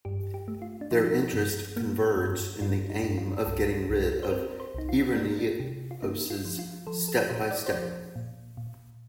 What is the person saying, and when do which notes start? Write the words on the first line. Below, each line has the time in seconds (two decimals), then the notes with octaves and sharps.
Their interest converged in the aim of getting rid of Ireneos step by step.
0.05 G2 G4
0.34 G4
0.48 A3
0.62 F4
0.81 D4
0.91 F3 D#4
1.33 G2
1.76 A#3
2.18 G2
2.61 G2 F4
2.90 D#4
3.03 G2
3.18 F4
3.46 C2 A4
3.89 C2
4.23 C5
4.31 C4 A#4
4.60 C5
4.74 C2 D#4
4.89 F4
5.16 A#3 D4
5.39 D4
5.60 C3
5.91 F4
6.02 A#3 D#4
6.30 F4
6.45 F3
6.59 F4
6.87 F3 A4
7.08 A4
7.29 A#2 C5
7.51 D5
7.66 C5
7.72 F3 D5
8.16 A#2
8.57 A#2